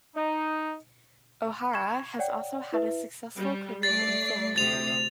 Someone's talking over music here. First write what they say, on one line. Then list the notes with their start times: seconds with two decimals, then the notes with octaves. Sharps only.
O'Hara has also had a successful career in film.
0.15 D#4
1.73 C#6 G#6 E7
2.19 C#5 D5 F#5 G5
2.72 E4 B4 E5
3.37 G3
3.83 A3 D5 A6 C7
4.56 D2 C3 D#6 A6 F7